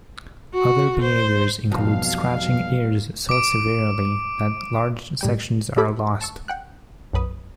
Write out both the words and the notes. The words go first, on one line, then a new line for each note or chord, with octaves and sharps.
Other behaviours include scratching ears so severely that large sections are lost.
F#4
C5
B1 F2 B2 G3 F5
D6 D7
A2 G3 G5
G4 A4 B5 D6
A5 C#6 E6
F#5 G5 F#6
B1 F#2 B4 D#6